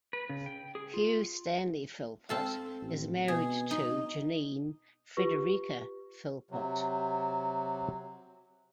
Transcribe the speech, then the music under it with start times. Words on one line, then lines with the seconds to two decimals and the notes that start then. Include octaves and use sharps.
Hugh Stanley Philpott is married to Janine Frederica Philpott.
0.13 B4
0.29 C#3
0.46 G5
0.75 G#4
0.94 F4
2.29 C4 A4 F5
2.81 A1
3.28 B2 G#4
3.71 D#4
5.17 F4 G4 B4 C#6
6.51 C3 F#3